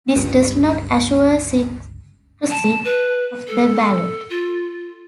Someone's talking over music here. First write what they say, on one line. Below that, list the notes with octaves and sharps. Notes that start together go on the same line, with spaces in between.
This does not assure secrecy of the ballot.
G1 C#2 G2
A5
B4
A4
F4